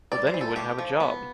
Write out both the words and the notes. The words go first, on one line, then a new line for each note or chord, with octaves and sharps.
But then you wouldn’t have a job.
G3 D5
C5
E3
A4
A3 G4
F3
B3